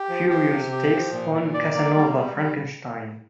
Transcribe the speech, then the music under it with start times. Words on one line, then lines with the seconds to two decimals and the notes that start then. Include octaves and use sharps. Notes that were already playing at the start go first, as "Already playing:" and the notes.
Furious takes on Casanova Frankenstein.
Already playing: G4
0.09 F3
0.30 G4
0.51 C3
0.72 G4
0.93 F3
1.12 A#2
1.33 A#2
1.54 D5
1.75 A#3
1.96 G3
2.16 G3
2.37 G3